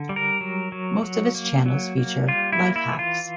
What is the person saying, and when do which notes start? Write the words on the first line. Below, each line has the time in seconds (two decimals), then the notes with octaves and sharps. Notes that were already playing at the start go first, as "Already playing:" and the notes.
Most of its channels feature "life hacks".
Already playing: D3
0.09 G3
0.16 A#4
0.41 F#3
0.72 F#3
1.03 F#3
1.35 A#3
1.66 F#3
1.97 A#3
2.28 G3 F4
2.52 E4
2.59 A#3
2.76 E4
2.92 E3
2.99 F4